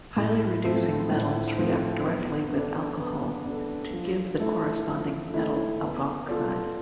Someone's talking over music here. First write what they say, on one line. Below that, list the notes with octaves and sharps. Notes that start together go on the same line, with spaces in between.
Highly reducing metals react directly with alcohols to give the corresponding metal alkoxide.
A2
F3 A3 C4
A2
F3 A3 C4
B3
D4 A4
B3
D4 A4
F3
A3 E4 A4
F3
A3 E4 A4
B3
F4 A4 D5